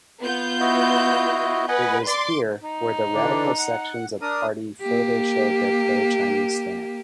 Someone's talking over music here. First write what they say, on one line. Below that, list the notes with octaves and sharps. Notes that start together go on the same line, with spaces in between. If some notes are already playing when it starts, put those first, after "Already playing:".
It was here where the radical sections of party further showed their pro-Chinese stand.
B3 F4 G6
E4 F#4 D#5
B4 D#5 F#5 G#5
D5 C6 D6
D#4
D3 E3 D4
F#5
D4 A#4 D#6
A#3 G4